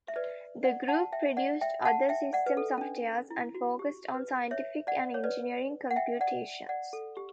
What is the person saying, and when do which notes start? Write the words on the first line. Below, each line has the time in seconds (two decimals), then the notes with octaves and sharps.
The group produced other system software and focused on scientific and engineering computations.
0.08 E5
0.16 B4 D5
0.63 D5 F#5
0.88 F#5 A5
1.13 E5 G5
1.37 D5 F#5
1.61 E5 G5
1.85 F#5 A5
2.09 E5 G5
2.33 D5 F#5
2.46 B4
2.57 A4
2.78 C#4
2.81 D4
3.30 E4
3.55 F#4
3.79 G4
4.14 B4
4.51 C#5 E5
4.87 D5 F#5
5.14 C#5
5.24 B4 D5
5.91 F#5
5.96 E5 G5
6.21 D5 F#5
6.69 D5 F#5
6.93 A4
7.17 G4